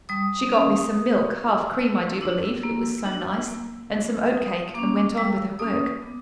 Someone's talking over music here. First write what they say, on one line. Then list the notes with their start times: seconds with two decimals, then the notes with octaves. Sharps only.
She got me some milk--half cream I do believe, it was so nice--and some oatcake, and went on with her work.
0.09 G3 D#6
0.52 A#3 C#4
0.94 A3
1.36 D4 F4
1.78 A3 E6
2.21 D4 F4 E6
2.63 A#3
3.06 D4 F#4
3.48 A#3
3.90 D4 F#4
4.33 G3 D#6
4.74 A#3 C#4 D6
5.17 G3 E6
5.59 A#3 C#4 D#6
6.02 B3 D6